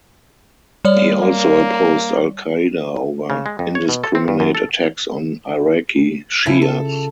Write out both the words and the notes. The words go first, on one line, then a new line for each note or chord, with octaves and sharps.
He also opposed Al-Qaida over indiscriminate attacks on Iraqi Shias.
G3 C#5 D5
A#3
C#3
G#3
F2
C#5
B2
A4
C4
G2
F#2
A4
F2 C#3 C#4 E4 F4
A4